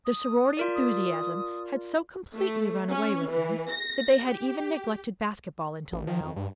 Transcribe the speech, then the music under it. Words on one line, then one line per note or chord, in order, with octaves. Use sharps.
Their sorority enthusiasm had so completely run away with them that they had even neglected basketball until now.
D#6
F4 A#4 D5
D#6
A3
C#4
E3
A#6
G4
A1
F3
F2
G2